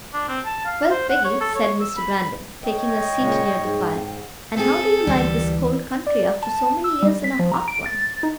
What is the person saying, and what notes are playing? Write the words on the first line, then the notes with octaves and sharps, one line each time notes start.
"Well, Peggy," said Mr. Brandon, taking a seat near the fire, "and how do you like this cold country after so many years in a hot one?"
D4
C4
A5
F5
C5
F#5
C#5
A4
C#5
E6
B5
C#5 D#5 G5
A#2 C#3 G#3
G#2
C4 G#4 A4
D2 E3 G3
D5
A5
E6
G3
B6
F3
A#5
D7
A6
D#4